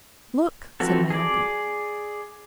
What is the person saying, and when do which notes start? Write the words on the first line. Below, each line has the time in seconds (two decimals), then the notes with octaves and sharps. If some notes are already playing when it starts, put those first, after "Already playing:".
"Look!" said my uncle.
0.80 E3 F3 C4 F#4 A4
1.10 G#4 D5